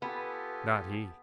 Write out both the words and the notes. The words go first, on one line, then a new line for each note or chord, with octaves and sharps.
Not he.
B3 F4 G4 A4 B4 G#5